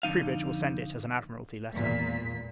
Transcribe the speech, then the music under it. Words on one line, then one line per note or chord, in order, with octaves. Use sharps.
Troubridge will send it, as an Admiralty letter.
F2 D3 E3 D#4 F5
G#1 E2 A#2 B6